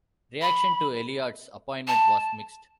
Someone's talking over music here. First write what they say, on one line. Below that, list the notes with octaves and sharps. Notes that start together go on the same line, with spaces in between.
Reaction to Elliott's appointment was mixed.
B5
A5